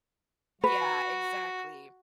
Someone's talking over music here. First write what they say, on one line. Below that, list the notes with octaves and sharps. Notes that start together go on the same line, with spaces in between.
Yeah, exactly.
F#4 B4